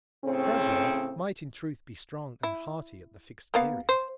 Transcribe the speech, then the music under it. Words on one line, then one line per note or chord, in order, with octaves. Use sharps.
Crasweller might in truth be strong and hearty at the Fixed Period.
A2 C#3 C4
E4
A#3 B3 F5
C5